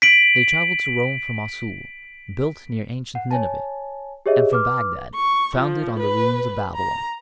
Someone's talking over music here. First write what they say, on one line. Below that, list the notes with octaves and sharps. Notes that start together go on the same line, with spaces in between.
They traveled to Rome from Mossul, built near ancient Nineveh, and from Bagdad, founded on the ruins of Babylon.
B6 D7 F#7
F#5
C#5 G#5 A5
G4 G#4 C#5 D#5 E5
B4 D6 F6
C#6
F3
B4
A#5